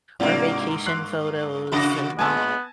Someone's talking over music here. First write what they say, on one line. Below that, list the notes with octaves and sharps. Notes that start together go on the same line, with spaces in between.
our vacation photos and
G2 C3 A#3 D4 F4
C6 F#6 C7
C3 F#4 B5 D#6 A#6
A2 G#3 B3 G#5 A5 E6